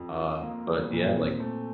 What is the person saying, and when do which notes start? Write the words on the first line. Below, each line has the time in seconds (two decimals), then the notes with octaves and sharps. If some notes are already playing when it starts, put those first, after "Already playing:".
Uh, but yeah, like
Already playing: F2
0.18 F4
0.42 A#3
0.67 G3
0.91 A#2
1.15 C4
1.40 A3